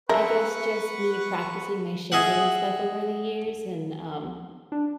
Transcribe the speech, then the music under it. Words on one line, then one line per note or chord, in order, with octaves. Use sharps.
I guess just me practicing my shading and stuff over the years and, um,
G#4 A#4 B4 E5 F#5 A5 C#6
G#4 D#5 E5 F#5
D4